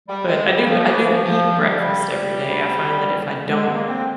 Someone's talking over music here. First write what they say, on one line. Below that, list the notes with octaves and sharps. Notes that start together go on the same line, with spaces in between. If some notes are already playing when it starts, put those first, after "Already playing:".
but I do I do eat breakfast every day. I find that if I don't
G3
G#3
G3
F3
E3
F3
F3
G3
G#3
A#3
C4